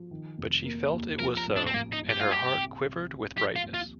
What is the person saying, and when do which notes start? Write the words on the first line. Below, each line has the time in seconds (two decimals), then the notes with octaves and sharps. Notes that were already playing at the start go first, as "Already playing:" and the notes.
But she felt it was so, and her heart quivered with brightness.
Already playing: F3
0.11 D#3
0.38 F1
0.65 A#3
0.93 D#2
1.19 F3 A#4
1.37 A#4
1.47 A1
1.56 D4
1.67 C4
1.73 A1 A#3
1.93 D#4
2.02 G2
2.10 G4
2.21 F4
2.28 G3 G4
2.56 C2
2.83 C2
3.11 C3
3.37 F3 G4
3.56 F4
3.64 D#2
3.74 F4